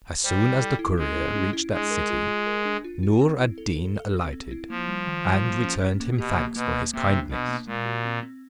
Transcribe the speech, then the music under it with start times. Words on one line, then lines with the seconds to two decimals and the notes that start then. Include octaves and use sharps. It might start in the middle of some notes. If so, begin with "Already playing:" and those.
As soon as the courier reached that city, Noor ad Deen alighted, and returned him thanks for his kindness.
0.23 G3 C5
0.42 E4
0.60 A4
0.79 E4
0.98 G#3 C#4
1.16 E4
1.35 C#4
1.53 E4
1.73 G#3 D4
1.91 A#4
2.10 F4
2.28 F4
2.46 A#4
2.65 D4
2.84 F4
3.03 F4
3.21 C4
3.39 E4
3.58 A4
3.76 A4
3.95 A4
4.14 C4
4.33 C4
4.52 E4
4.70 F3 A#3
4.88 G3
5.07 D#3
5.25 G3
5.44 A#3
5.63 C#4
5.82 C#4
6.00 A#3
6.18 B2 G4
6.37 A#3
6.56 B2 A#3
6.74 A#3
6.93 C3 A#3
7.12 D4
7.30 B2 D4
7.48 A#3
7.67 A#2 G#3
7.86 F#4
8.05 C4
8.23 C4